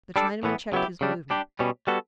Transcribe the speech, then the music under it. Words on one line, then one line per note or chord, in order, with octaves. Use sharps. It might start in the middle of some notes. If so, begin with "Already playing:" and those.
The Chinaman checked his movement.
G3 D4 A4
A2 E3 B3
C#3 F#3 B3 E4 G4
C#3 G3 D4
G3 D4 G4
B2 G3 C#4
G3 B3 F#4 A4